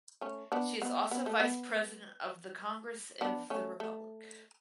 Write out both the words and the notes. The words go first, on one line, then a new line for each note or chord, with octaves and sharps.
She is also Vice President of the Congress of the Republic.
A3 C#4
B3 D4
B3
B3
A3
B3
B3 D4
A3 C#4
A3